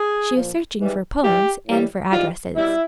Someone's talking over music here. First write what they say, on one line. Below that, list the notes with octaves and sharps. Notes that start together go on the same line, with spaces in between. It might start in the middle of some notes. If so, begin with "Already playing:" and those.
She was searching for poems and for addresses.
Already playing: G#4
A#2 F3
G#2 E3 G3
G2 E3 G3 G4
A2 E3 G3
G#2 E3 G3 F4
B2 G3 E4